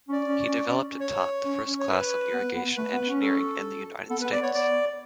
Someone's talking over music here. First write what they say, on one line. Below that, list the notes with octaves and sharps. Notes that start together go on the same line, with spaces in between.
He developed and taught the first class on irrigation engineering in the United States.
C#4 D5
C#4
C#4
C#4
C#4
C#5
C#4
C#4
C#5
B4
B3
B3
A3 B4
B3
C#4
A4
B3 A4
B4
B3
D5
B3 C#5
D5